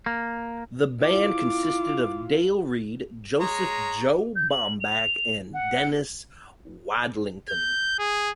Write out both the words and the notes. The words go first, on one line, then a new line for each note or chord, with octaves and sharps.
The band consisted of Dale Reed, Joseph "Joe" Bomback and Dennis Wadlington.
A#3
E4 F4 D6
G#3 C#5 A#5
G6
F#7
F7
F#5
G6
G#4